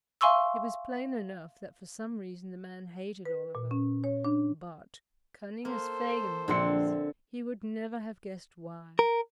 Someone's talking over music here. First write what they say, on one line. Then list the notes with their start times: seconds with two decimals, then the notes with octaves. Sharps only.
It was plain enough that for some reason the man hated Oliver, but, cunning as Fagin was, he would never have guessed why.
0.21 E5 F5 G#5 C6 C#6 E6
3.25 B4
3.55 A#2
3.71 C#4
4.04 C#5
4.24 D4
5.65 A#3 A4 C5
6.48 A#1 D3 C4 C6 C#7
8.99 A#4